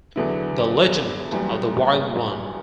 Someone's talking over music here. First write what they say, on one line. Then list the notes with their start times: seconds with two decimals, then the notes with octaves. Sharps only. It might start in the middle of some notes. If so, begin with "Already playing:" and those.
The Legend of The Wild One.
0.16 E2 D3 F#3 B3 E4
1.31 F#1 F#2 E3 G3